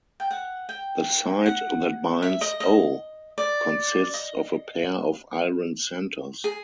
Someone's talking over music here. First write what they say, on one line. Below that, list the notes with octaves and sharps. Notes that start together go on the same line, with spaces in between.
The site that binds O consists of a pair of iron centres.
G5
F#5
G5
F#5
E5
D#5
D#5
D5
D#5
G#4